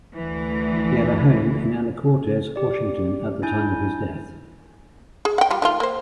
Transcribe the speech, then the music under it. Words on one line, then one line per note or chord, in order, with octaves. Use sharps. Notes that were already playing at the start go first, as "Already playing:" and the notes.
He had a home in Anacortes, Washington, at the time of his death.
D2 E3
G4 D5
D4 E4 G#5 G6
G#4
F#5 G5
G3 F4
D#3 A3 F4
A#3 C5